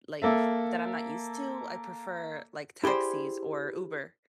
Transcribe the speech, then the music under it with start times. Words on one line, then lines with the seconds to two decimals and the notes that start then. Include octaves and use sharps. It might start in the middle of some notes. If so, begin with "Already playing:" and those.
like that I'm not used to, I prefer, like, taxis or Uber,
0.22 A#3 A4 E5
2.84 E4 G4 G#4 C5 D5